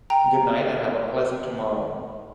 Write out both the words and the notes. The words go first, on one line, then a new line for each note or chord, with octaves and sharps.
Goodnight and have a pleasant tomorrow.
G5 A#5